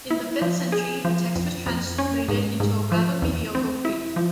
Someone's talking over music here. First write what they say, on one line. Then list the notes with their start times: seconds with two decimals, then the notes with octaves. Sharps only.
In the fifth century, the text was translated into a rather mediocre Greek.
0.11 E4
0.42 F3
0.72 G#4
1.05 F3
1.35 F2
1.66 F2
1.98 C#4
2.28 G#2
2.60 G#2
2.92 F3
3.22 E2
3.55 C4
3.85 E4
4.16 F3